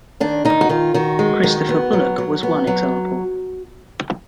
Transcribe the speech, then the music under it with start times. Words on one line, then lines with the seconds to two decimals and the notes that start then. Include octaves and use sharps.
Christopher Bullock was one example.
0.20 D#3 D4
0.45 D#3 D#4
0.61 F#4
0.69 D#3 F4
0.94 D#3 F#4
1.19 G#3
1.43 D#3
1.69 B3
1.93 F#3
2.18 F#3
2.43 B3
2.67 F#3